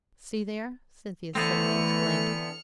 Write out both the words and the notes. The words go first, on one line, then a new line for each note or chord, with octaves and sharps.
"See there!" Cynthia suddenly exclaimed.
D3 E3 A3 B3 C4 F6 C#7